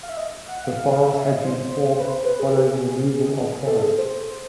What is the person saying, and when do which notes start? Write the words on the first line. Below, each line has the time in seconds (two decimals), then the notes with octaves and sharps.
The farms had been formed following removal of forest.
0.03 F5
0.09 E5
0.17 D#5
0.48 F#5
0.64 F5
1.12 E5
1.29 D#5
1.45 C5
2.00 B4
2.08 C5
2.25 B4
2.40 G#4
2.56 G4
2.71 G#4
3.67 A4
3.83 G#4
3.98 C5